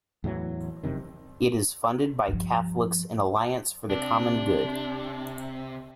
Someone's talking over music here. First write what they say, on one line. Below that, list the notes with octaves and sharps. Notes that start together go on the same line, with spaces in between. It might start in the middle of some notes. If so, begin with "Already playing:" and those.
It is funded by Catholics in Alliance for the Common Good.
E2 A2 E3 F#3
F1 F#2 C3 D#3
G2 F3
C3 D4